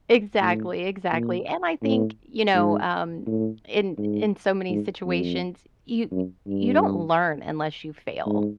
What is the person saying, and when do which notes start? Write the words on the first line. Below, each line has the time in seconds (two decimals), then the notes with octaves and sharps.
Exactly, exactly, and I think, you know, um, in in so, many situations, you y you don't learn unless you fail,
0.41 A2
1.12 A#2
1.83 A2
2.54 G#2
3.26 A2
3.98 G#2
4.70 G#2
5.05 F2
6.12 F#2
6.47 G2
8.26 G#2